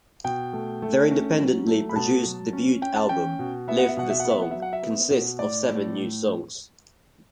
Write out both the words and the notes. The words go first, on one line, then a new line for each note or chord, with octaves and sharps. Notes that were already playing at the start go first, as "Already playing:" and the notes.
Their independently produced debut album, "Live the Song", consists of seven new songs.
B2 G5
A3
A3
C#4
F#3
A3
B5
B2 A5
F#3
C#4
C#4 G5
A5
C#4 G5
B2
B3 E5
F#5
E5
B2 F#5
E5
F#5
B3
E5
F#5
F#3 E5
F#5
E5
B3
B2
A2 D5
A2
A2